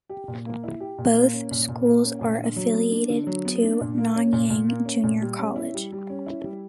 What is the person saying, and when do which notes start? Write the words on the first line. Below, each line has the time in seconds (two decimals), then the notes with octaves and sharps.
Both schools are affiliated to Nanyang Junior College.
0.09 G4
0.28 A#2
0.46 A#3
0.64 E4
0.80 G4
0.98 A#2
1.16 A#3
1.33 C#4
1.51 A#2
1.68 A#2
1.87 A#3
2.04 C#4
2.21 A#2
2.39 D3
2.56 F#3
2.74 B3
2.91 D4
3.10 D3
3.27 F#3
3.45 B3
3.63 D4
3.81 A#2
3.98 A#3
4.16 C#4
4.33 A#2
4.50 A#2
4.69 A#3
4.85 C#4
5.03 A#2
5.22 G3
5.39 C#4
5.56 E4
5.74 G3
5.92 G3
6.10 C#4
6.26 E4
6.44 G3